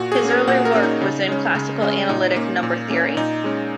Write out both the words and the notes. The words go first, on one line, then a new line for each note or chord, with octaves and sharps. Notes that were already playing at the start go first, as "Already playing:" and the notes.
His early work was in classical analytic number theory.
Already playing: A#2 F#4
G#4
A#3 C#4
A#4
A#2 F#5
A#4
A#3 C#4
D#4
C#3
G#3 C#4
C#3
G#3 C#4
A#2 D#4
A#3 C#4
A#2
A#3 C#4
A#2 D#4
G#3 C#4